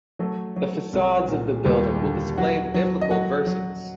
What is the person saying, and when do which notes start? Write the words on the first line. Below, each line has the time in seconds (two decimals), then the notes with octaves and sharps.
The facades of the buildings will display biblical verses.
0.19 F#3 A3 A4
0.56 F#3
0.93 C2
1.28 A#2
1.65 D#2 G3 G4
2.02 D3
2.38 F#3 F#4 F#5
2.74 F#3
3.01 D#5
3.11 F#3 F#4 F#5
3.47 F#3